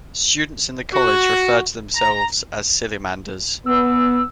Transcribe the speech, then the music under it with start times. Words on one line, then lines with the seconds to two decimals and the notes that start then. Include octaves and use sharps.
Students in the college refer to themselves as Sillimanders.
0.94 F#4
1.95 A#5
3.66 B3 E6